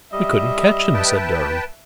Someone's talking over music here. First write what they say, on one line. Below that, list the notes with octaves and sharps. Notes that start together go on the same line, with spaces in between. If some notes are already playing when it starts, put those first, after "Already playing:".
"We couldn't catch him," said Durham.
G3 D#5 E5
B4 G5 A5